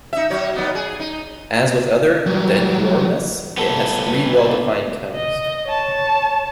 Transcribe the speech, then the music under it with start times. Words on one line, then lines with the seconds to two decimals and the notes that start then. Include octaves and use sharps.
As with other "Dendromus", it has three well defined toes.
0.13 D#4 E5
0.30 F#3 C#5
0.54 F#3 B3 D#4
0.75 G#4
1.00 D#4
2.27 F#3 G3
3.58 B3 A4
5.15 D#5
5.68 C#5 A5